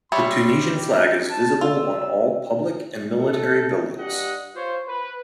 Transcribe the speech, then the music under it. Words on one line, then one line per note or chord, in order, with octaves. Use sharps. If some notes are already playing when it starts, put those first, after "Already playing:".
The Tunisian flag is visible on all public and military buildings.
G3 C#5 E5 C6
G4
A5
F4 E6
A4
G2 D4 G4 D#5 F#5
F4 C5 C#5
B4